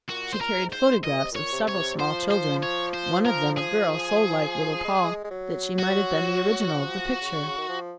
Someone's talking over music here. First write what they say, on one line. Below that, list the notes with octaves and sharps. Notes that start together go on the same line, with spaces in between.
She carried photographs of several small children, one of them a girl so like Little Poll that she might have been the original of the picture.
A#2 F#4
C5
A#4
G#2
C5
A#2 D#5
C3
A#2 C#5
C3
C#5
F3 C5
C5
C#5
C5
A#4
G#4
G#3
G#3
G#3
F#3
F#4
F3
C#3
C#3
D#3
F3